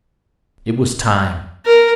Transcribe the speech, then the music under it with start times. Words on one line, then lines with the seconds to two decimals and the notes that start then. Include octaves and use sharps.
It was time.
1.66 A#4